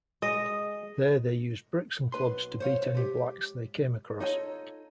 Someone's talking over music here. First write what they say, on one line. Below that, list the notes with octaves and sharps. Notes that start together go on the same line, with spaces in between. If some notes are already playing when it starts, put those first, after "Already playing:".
There they used bricks and clubs to beat any blacks they came across.
G#3 D#5
B1 B4 C6
C5 C#5 F5
G#3 G4
D#4 F4 A4 C#5 D#5